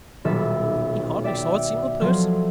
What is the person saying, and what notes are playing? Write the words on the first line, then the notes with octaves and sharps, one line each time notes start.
He hardly saw a single person.
D#1 B1 G3 A#4 E5 A6
D5 E5 G5 A6
F3 F#3 A4 C6